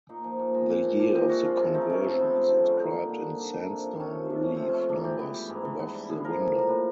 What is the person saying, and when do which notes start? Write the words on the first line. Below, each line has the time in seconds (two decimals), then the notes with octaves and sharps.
The year of the conversion is inscribed in sandstone relief numbers above the window.
0.09 A#2 D#4
0.24 F3
0.39 A#2
0.54 G#3
0.70 A#2
0.84 F3
0.99 A#2 D4
1.15 G#3 G4
1.29 C3 F#4
1.44 F3 F4
1.59 C3
1.74 A3 D#4
1.90 C3 C#4
2.04 F3 C4
2.19 C3 B3
2.34 A3 C4
2.50 D3 C4
2.64 G3 C#4
2.79 D3 D#4
2.94 A#3
3.09 D3
3.24 G3
3.39 D3 D4
3.55 A#3
3.70 C3
3.84 F3
4.00 C3 C#4
4.14 A3
4.30 C3 D4
4.43 F3 C#4
4.56 C3 C4
4.69 C#4
4.74 A3
4.89 G#2 D4
5.04 E3 G4
5.19 B3
5.34 G3
5.49 G#2 G#4
5.65 E3
5.79 B3
5.95 G3
6.09 A2 G#4
6.24 F3 A#4
6.40 A2
6.54 A#3
6.69 A2 B4